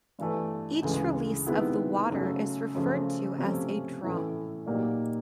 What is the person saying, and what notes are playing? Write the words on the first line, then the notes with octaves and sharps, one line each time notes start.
Each release of the water is referred to as a drop.
G2 E3 A3
D2 C#3 E3 G#3
C3 D#3 G#3 B3 E4
F#2 C#3 F#3 A3
F#2 C#3 F3 A3
C3 F3 A3 C#4
A2 E3 A3 C#4 E4
A#2 F#3 A#3 D#4 G4